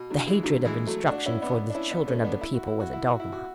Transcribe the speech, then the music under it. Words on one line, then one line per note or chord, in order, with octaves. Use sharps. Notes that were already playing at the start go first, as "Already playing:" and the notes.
The hatred of instruction for the children of the people was a dogma.
Already playing: B2
D3 F#3
E3 G#3
D3 F#3
E3 G#3
F#3 A3
D4 F#4
C#4 E4
B3 D4
D4
C#4 E4
B3 D4
A3 C#4
B3 D4
E4
F#4
E4
F#4
E4
F#4
E4
F#4